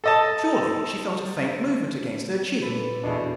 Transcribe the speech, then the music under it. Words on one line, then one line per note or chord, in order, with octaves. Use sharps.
Surely she felt a faint movement against her cheek?
A4 D#5 A5
A#2 A4 B4
E2 B2 D4 E4 G#4